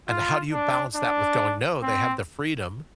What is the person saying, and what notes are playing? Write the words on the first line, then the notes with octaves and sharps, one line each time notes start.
And how do you balance that with going, "No, they have the freedom
F4
D4
D4
C4